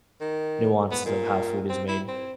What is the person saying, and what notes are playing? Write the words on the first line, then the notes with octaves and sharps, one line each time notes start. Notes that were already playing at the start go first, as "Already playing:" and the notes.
nuances of how food is made.
D#3
B3
A#2
C4
E4
C4